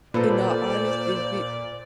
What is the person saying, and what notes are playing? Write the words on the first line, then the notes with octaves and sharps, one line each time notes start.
in all honesty, be
A#2 A4 B4 C5 D5